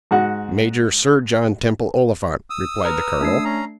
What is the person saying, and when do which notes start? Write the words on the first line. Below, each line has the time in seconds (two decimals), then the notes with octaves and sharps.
"Major Sir John Temple Oliphant," replied the colonel.
0.11 G#2 F#4 F#5
2.50 D#6 E6
2.85 B4 A#5 F6
3.20 A3 D4 C7
3.45 C#4 A#5